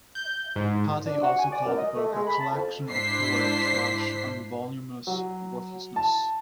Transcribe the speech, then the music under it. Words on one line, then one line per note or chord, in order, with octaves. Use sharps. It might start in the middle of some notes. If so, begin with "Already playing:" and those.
Pattee also called the book a "collection of poetic trash" and "voluminous worthlessness".
G6
G#2
D4
F#4
G#5
D5
F#2
D#5
A3
G#3
B5
A5
F2
G#2 D4 E4 C5 B6 C7
F#3
A5